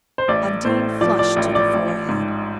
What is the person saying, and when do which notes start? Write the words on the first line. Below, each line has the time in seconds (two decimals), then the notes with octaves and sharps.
Undine flushed to the forehead.
0.18 C5
0.28 A1 D5
0.65 A2 C5
1.01 F3 D5
1.19 D5
1.36 A1
1.55 D5
1.73 A1
2.09 G#2